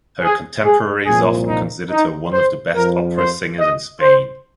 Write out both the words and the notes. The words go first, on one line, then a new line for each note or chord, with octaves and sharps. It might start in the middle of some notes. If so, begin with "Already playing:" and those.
Her contemporaries often considered her one of the best opera singers in Spain.
G#4
G#4
C2 A#2 F3 G#4
D#4
D#4
C5
F2 F3 A#4
C5
D#5
C5